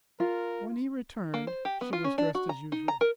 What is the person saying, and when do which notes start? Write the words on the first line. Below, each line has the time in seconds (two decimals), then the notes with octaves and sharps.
When he returned she was dressed as usual.
0.20 F4 A#4
1.34 A#3
1.47 C5
1.65 G4
1.81 B3
1.93 F4
2.04 C#4
2.18 D4
2.35 F#4
2.49 A#5
2.72 D#4
2.88 A#5
3.01 A#4